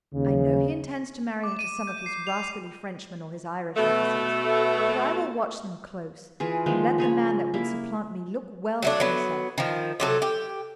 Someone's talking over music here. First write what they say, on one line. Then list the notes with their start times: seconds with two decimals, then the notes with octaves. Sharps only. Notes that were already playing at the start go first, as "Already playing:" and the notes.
I know he intends to marry her to some of his rascally Frenchmen or his Irish officers, but I will watch them close; and let the man that would supplant me look well to himself.
0.14 D#2 C#3
1.44 D6
1.59 D#7
1.87 G6
2.06 C7
2.27 F7
3.76 B2 A3
6.40 E3 F4 G#4
6.66 D#3 F3 G#3 A#3
6.98 C#3 G#4 C#5
7.54 A#3 E4
8.82 F#3 A3 D4
9.00 F#3 B3
9.58 D#3 F3
10.00 C3 F#3 A4
10.22 G4